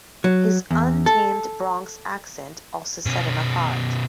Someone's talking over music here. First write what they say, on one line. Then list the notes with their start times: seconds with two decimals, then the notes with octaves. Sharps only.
His untamed Bronx accent also set him apart.
0.24 F#3
0.71 E2
1.06 A4
3.06 B2 C#4